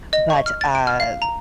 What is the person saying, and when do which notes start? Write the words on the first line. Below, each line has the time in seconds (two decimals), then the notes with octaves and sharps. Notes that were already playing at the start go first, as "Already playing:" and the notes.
but, uh,
0.13 D#5
0.30 C#6
0.46 F6
0.61 A6
0.75 D7
0.87 F6
1.00 F5
1.22 A#5